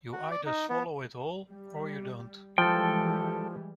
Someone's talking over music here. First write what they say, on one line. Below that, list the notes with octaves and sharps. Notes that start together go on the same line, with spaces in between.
You either swallow it whole-or you don't.
F#4
D5
D#4
B3
G3
E3 F3 G3 G#3 A4 G5